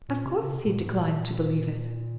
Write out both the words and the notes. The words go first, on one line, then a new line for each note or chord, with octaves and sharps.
Of course he declined to believe it.
A#2
C3
C#3
C3
A#2
G#2
A#2